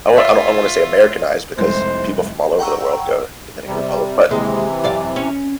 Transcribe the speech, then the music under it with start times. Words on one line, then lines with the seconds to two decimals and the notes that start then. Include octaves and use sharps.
I want I don't I wanna say Americanized because people from all over the world go to Dominican Republic, but,
0.16 F4 C#5 E5 A6
1.57 F1 C2 G#2 C5
2.59 F#5 G5 A#5 C#6 E6
3.67 C3 G3
4.29 D#2 C3 E3 G#3
4.84 F#2 D5 F5
5.16 C#4